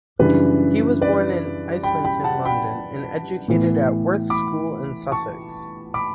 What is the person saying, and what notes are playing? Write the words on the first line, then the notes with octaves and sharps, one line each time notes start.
He was born in Islington, London, and educated at Worth School in Sussex.
F#2 C#3 E3 G3 D4 B4
B4 D5
G5 B5
G5 B5
F#5 A5
G5 B5
A2 E3 B3
B5 D6
A5 C#6
B5 D6